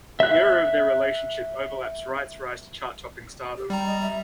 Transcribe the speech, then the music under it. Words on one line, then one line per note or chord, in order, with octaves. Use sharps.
The era of their relationship overlaps Wright's rise to chart-topping stardom.
E5 F#6
G4
G3 G5 A#5
D#5
E5